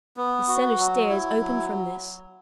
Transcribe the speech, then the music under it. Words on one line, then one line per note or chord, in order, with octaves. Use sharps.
The cellar stairs opened from this.
B3
F#4
F#3
E4
F#3